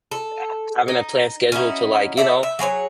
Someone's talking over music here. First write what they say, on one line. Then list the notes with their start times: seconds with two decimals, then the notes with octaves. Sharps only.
Ha having a planned schedule to, like, you know,
0.11 A4
0.88 D#4
1.52 C#4 D#4 E4 F#4
2.17 A4 C5 D5 E5
2.43 E5
2.59 F#3 G#4 B4 C#5